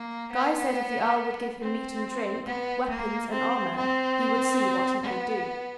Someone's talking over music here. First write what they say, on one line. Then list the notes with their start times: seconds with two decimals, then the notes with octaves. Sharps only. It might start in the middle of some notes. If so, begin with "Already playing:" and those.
Guy said if the earl would give him meat and drink, weapons and armor, he would see what he could do.
Already playing: A#3
0.32 B3
1.61 C4
2.46 B3
2.89 A#3
3.32 C4
3.76 C4
5.03 B3